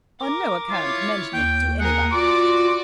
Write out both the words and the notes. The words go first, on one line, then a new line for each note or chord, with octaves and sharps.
"On no account mention it to anybody."
A#4 D6
E4 F4 C#5
D#2 G5
G#4 A#4 F#5
F4 F#4 D5 D6